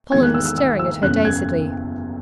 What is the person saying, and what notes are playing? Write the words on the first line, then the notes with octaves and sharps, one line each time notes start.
Colin was staring at her dazedly.
E2 D#3 G#3 B3 G#6
F#6
E6
E6
E6
E6
F#1 E2 B2 A3 C#4 F#6
G#6